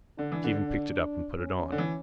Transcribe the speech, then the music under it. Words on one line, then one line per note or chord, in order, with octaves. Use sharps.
Stephen picked it up and put it on.
D3 D4
E3
D3
D4
C#4
D3
E3